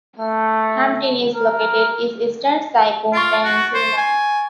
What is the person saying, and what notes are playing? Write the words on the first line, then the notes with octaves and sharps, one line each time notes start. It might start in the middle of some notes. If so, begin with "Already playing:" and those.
Ham Tin is located in eastern Sai Kung Peninsula.
A3
A#4
F4 C#6 A6 D7
F#4
C5
G#5